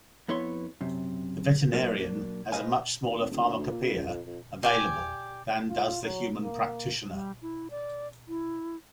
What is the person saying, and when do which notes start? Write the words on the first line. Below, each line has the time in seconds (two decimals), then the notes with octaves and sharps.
The veterinarian has a much smaller pharmacopeia available than does the human practitioner.
0.28 F2 B3 E4 C#5 C6
0.81 F#2 C3
1.73 F#3 A#3 D4
2.52 B4 C5 D5 D#5 F5 G#5
3.04 D#2
3.19 G#1
3.31 D#1
3.44 D2
3.59 D2
3.71 A#2
3.83 C#3
3.96 C#2
4.08 F2
4.26 F2
4.63 G4 D5 G#5
5.69 F4
6.03 F#3
6.43 A#3
7.11 G3
7.42 E4
7.71 D5
8.28 E4